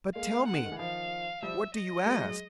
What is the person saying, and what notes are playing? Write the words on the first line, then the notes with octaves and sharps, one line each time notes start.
"But, tell me, what do you ask?"
G#3 A#3 F5
A3 B3
C#3 F#5
D3
D#3
E3
D#3 F3 F5
F3 G3 E5
D#5
G3 A3
F#3 G#3